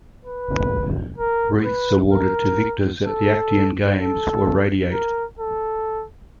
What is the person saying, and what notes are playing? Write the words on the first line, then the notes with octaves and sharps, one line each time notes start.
Wreaths awarded to victors at the Actian Games were radiate.
B4
A#4
B4
A#4
A4
A4
A#4
A4